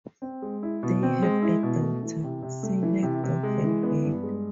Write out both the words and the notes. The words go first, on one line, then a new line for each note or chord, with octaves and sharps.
They have a daughter, Celia Dovell Bell.
C4
G#3
E4
B2
C4
G#3
E4
B2
A3
E3
C3
C3
A3
E3
C3
C3
G#3
E3
B3
G2
G#3